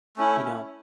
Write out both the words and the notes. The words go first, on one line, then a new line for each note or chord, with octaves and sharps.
You know
A3 C#4 E4